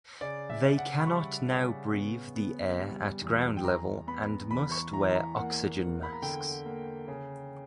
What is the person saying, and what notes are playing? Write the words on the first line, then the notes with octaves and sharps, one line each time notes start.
They cannot now breathe the air at ground level and must wear oxygen masks.
C#3 D5
E5
C#3
F#5
B5
G3 C#6
C#3
B3
B3
G3
E2
G5
E2 A#5
B3 B5
E2 B5
C#6
E3 A#5
A#5
A#3 F#5
A#3
B5
A#5
D3 G5
A#3
C#3